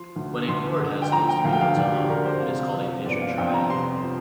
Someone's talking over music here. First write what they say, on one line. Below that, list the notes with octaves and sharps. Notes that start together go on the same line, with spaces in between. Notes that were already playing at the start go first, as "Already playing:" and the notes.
When a chord has these three notes alone, it is called a major triad.
Already playing: F3 C6
D2
D2 C6
D3
G5
F3 A#5
G5
D2 F5
G5
F5
D2 D5
G4
D3 A#4
C5
C3 F5
F3
G1 D5
F5
F2 G5
A#5
C3 C6
F3